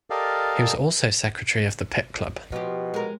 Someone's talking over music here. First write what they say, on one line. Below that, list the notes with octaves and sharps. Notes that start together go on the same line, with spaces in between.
He was also secretary of the Pitt Club.
G4 A4 A#4 D5 D#5 F5
B2 F3 G4
G#3 A#4